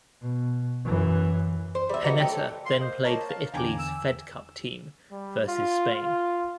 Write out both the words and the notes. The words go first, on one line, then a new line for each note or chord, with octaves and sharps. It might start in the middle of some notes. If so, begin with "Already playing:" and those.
Pennetta then played for Italy's Fed Cup team versus Spain.
B2
F#2 E3
C5
G3 E5
E3 D#4 F#4 A#5
F#3 A3 D#4 G4
A4
A#3 C6
C5 D#5
A#3 A#4 C#5 D#5 A5
F5 A5
E2 D3 G5 G#5 A#5 B5 D6
E6
G3
F4
F4